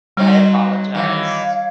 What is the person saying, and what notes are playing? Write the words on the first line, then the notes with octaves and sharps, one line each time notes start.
I apologized
F#3 G3 C4 D#4
D#3 E3 C#5 F5